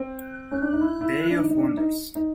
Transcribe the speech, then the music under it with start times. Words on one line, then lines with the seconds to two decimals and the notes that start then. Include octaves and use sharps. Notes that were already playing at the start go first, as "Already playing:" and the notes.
Day of wonders!
Already playing: C4
0.51 C#4
0.62 D4
0.73 D#4
0.81 E4
1.01 E4
1.30 D4
1.39 D#4
1.50 D#4
1.58 D4
1.77 D#4
2.15 D#4